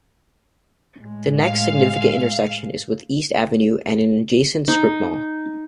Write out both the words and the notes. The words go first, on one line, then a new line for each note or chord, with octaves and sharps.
The next significant intersection is with East Avenue and an adjacent stripmall.
A2 G#3
F5
D#4